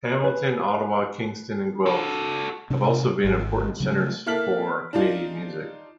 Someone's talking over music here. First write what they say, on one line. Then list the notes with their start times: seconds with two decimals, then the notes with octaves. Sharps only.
Hamilton, Ottawa, Kingston and Guelph have also been important centres for Canadian music.
0.24 B4
1.86 F#4 A4
2.70 C3 D4
3.24 G#1
3.80 C#3 F#3 A3
4.26 A#3 E4 A4 F6 B6 F#7
4.93 D4 D#4 F4